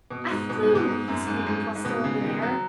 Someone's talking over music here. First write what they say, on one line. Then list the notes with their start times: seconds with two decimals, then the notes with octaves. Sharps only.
"I flewed!" he screamed while still in mid-air.
0.11 B2
0.30 G#2
0.50 B2
0.63 G#2
0.75 B2
0.88 G#2
1.08 F#2
1.27 G#2
1.36 F#2
1.47 G#2
1.75 G#2
1.85 B2
2.04 C#3
2.23 D#3
2.42 F#3